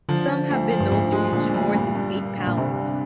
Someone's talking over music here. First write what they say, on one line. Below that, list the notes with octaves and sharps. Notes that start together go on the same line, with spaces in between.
Some have been known to reach more than eight pounds.
D3 F3
F3
D2
F3
G2
D2 G#2
G#3
A#2 D3
D2
G2
G2
G2
D3
A#2
G2 C3
D3